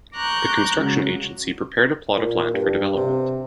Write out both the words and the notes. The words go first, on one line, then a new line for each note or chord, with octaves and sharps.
The construction agency prepared a plot of land for development.
A#5 C#6 D6 F#6 G6
C#3 F#3 G#3
A#2
G2
C3